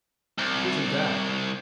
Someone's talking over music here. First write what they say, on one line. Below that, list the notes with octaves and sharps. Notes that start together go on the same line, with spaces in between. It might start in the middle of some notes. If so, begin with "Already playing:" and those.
"It isn't that."
C2